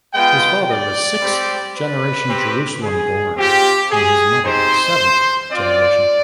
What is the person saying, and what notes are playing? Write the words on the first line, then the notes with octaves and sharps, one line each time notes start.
His father was sixth-generation Jerusalem-born and his mother seventh-generation.
G#3 B3 F4 G5
D5
G3 C4 G4
B4
C4 G4
G#4
C4 F4 G4
G#4
C4 D#4 G4 C5
C4 F4 D5